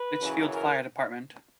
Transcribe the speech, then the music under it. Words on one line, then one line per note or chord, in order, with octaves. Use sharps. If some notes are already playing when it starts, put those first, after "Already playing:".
Litchfield Fire Dept.
Already playing: B4
F#2 C#3 E3
A#4